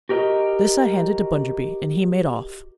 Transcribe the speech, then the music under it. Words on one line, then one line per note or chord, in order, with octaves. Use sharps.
This I handed to Bunderby and he made off.
F#4 G4 A#4 D5 D#5